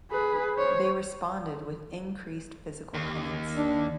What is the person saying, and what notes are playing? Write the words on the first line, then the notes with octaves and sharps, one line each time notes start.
They responded with increased physical penance.
G#4 B4
C5 C#5
D#2
D4